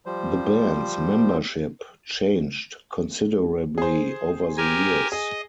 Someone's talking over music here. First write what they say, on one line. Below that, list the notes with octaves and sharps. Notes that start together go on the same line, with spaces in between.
The band's membership changed considerably over the years.
F3 G3 C5
G#4 C5
G4 A#4 G#5
G#4 D#5